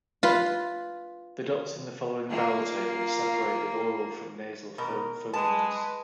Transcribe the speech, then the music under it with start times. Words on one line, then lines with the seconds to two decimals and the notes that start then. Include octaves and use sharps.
The dots in the following vowel table separate the oral from nasal phonemes.
0.23 F4 B4
2.29 A#3 F4
4.78 B2 A#4
5.33 G#3 B4 A5